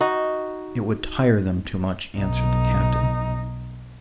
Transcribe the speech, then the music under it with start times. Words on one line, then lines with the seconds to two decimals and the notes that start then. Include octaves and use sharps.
"It would tire them too much," answered the Captain.
0.01 D#4 F#4
2.17 B1 D#4